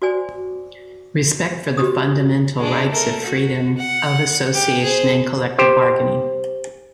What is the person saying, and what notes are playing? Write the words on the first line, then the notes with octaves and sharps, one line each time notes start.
Respect for the fundamental rights of freedom of association and collective bargaining.
F#4 C5 D5 G#5
F#4 G4 C5 D#6
G#3 D4
A3 A#4
F#4
F#5
G#3 G4
G#4 C5
G4 C5